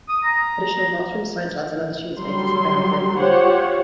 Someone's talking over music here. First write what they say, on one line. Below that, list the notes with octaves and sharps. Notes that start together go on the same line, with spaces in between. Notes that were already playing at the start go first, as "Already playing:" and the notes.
Additional classrooms, science labs, and other student spaces have been added over the years.
D#6
A#5
F#3 G3 C6
F4 G4 C5 C#5 F#5